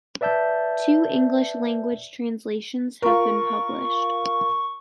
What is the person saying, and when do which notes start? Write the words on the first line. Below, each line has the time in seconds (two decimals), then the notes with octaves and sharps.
Two English language translations have been published.
0.21 B4 D5 E5 A5 G6
3.02 F4 A#4 C#6